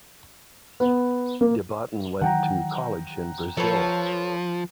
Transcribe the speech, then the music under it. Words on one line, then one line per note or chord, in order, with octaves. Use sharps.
Debatin went to college in Brazil.
B3
A#3
D#3 E3 F#3 F#5 G5 A#5
F3 A4 B4 C#5